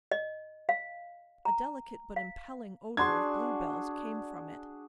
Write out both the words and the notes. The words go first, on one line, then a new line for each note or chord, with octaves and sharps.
A delicate but impelling odor of bluebells came from it.
D#5
F5
A#5
F5
D4 F#4 G#4 C6 G#6